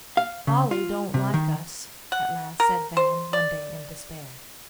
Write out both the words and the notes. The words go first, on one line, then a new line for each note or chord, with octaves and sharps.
"Polly don't like us," at last said Van one day in despair.
F5
C#3
F4
C3
D#3
F#5
A#4
C5
D5